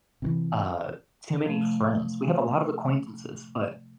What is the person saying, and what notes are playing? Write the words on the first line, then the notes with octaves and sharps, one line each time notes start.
uh, too many friends. We have a lot of acquaintances, but
C3 D#3 E3
C3 F3 A3